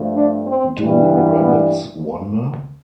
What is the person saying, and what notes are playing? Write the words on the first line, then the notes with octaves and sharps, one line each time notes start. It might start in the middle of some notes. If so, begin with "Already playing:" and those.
Do Rabbits Wonder?
Already playing: G2 F3 A3
D4
C4
G2 E3 G3
B3
B3